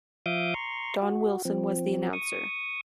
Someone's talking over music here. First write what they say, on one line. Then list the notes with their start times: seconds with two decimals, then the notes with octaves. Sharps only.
Don Wilson was the announcer.
0.26 F3 E5 F5 D6 D#6 G6
0.54 A#5 C6 C#6
1.02 F#4
1.45 F3 C4
2.13 C#6 D#6